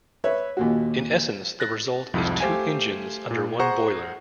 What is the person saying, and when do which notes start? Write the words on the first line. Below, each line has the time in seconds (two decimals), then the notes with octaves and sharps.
In essence, the result is two engines under one boiler.
0.24 B4 C#5 E5
0.57 D#2 A#2 F#4
1.60 F#6 A6 A#6
2.14 C2 F2 G#2 F3
2.40 A3 G4 C5 F5 G#5
3.31 A#2
3.60 G#4 C5 F#5 A#5 C#6